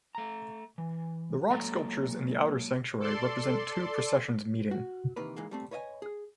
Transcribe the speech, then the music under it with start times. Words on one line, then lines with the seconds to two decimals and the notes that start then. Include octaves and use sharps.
The rock sculptures in the outer sanctuary represent two processions meeting.
0.15 A3 A#5
0.78 E3
1.50 F#3 G#3 A#3 A4 D5 A#5
3.00 A4 D5 C6
4.71 F#4
5.16 C3 D#3 E3 A#3 A#4 B4
5.36 G#2 E3 G#3 A#3
5.51 G3 A3 C4
5.71 B4 C#5 D#5 E5 G#5
6.02 G#4